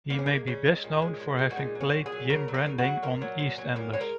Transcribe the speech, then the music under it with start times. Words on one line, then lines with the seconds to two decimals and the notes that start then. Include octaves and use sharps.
He may be best known for having played Jim Branning on "EastEnders".
0.10 C#3 A#3
0.19 C#4
0.26 G#3 A#3
0.47 C#3 C#4
0.65 G#3
0.84 A#2
1.02 G#3
1.20 A#2
1.39 G#3
1.51 F#4
1.57 A#2 D#4
1.75 F#3
1.81 C#4
1.94 A#2
2.06 G#4
2.12 F#3
2.29 C#3 A#4
2.48 F#3
2.54 A#4
2.66 C#3
2.78 F#4
2.85 F#3
3.03 A#2 A#4
3.22 F#3
3.39 A#2
3.58 F#3
3.76 A#2 A#4
3.93 G#3 C#5
4.01 A#4